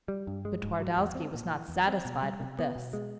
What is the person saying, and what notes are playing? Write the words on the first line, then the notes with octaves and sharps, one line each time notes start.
But Twardowski was not satisfied with this.
G3
G2
G#3
G#2
F#3
E2
C4
A#2
E3
E2
C4
B2
G3
C3
B3
B2
G#3